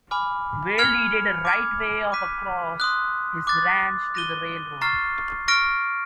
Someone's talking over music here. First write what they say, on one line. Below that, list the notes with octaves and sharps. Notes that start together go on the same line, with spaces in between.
Vail deeded a right of way across his ranch to the railroad.
G#5 B5 D6 F6
F6 G#6 C#7 F7
D6 F6 G#6
D6 F#6 B6 D#7
C6 D#6 F#6
D6 F#6 A6
F#6 A#6 D#7 G7
A#5 C#6 F6 A6 C7
C#6 F6 A#6 D7